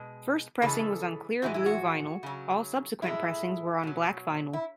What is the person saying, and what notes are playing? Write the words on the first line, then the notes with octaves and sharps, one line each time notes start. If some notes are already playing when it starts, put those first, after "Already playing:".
First pressing was on clear blue vinyl; all subsequent pressings were on black vinyl.
Already playing: B2 G#3
C#3 E3 G#3 A4
A2 E3 G#3 F#4
E4
F#4
C#3 F#3
A2 G#3 E4
B2 F#3
E4